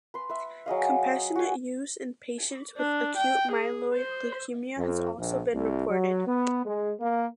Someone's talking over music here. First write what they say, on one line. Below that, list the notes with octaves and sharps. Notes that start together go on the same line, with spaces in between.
Compassionate use in patients with acute myeloid leukemia has also been reported.
B4 C6
B4 E5
F#3 G#4 D#5 F5
F#4 G#4 G#5
D4
G5
G#4
C5
F2
A#1
C2
F#3
B3
G#3
A#3